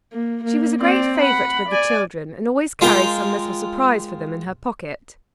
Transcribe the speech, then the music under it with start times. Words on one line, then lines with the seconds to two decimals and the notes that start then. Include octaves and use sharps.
She was a great favourite with the children, and always carried some little surprise for them in her pocket.
0.13 A#3
0.44 A#3
0.80 C4 D5
1.18 F#5 B5
1.69 D5 G#5
2.81 G#3 F4 A#4 G5 A#5